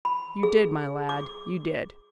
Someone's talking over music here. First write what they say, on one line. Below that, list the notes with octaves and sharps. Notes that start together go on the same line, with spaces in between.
"You did, my lad; you did."
B5
G#4
D6